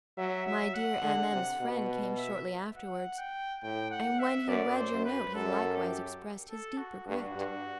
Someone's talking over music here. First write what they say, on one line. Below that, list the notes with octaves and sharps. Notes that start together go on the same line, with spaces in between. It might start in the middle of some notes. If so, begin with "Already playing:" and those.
My dear M---- M----'s friend came shortly afterwards, and when he read your note he likewise expressed his deep regret.
F#3 E5
E5
F#5
D3
C3
B2
E5
F#5
G5
A2 G5
F#5
E5
F#2 D5
C5
F#2
B4
F#2 A4
G4
A4
F#4
G2 F#4
G2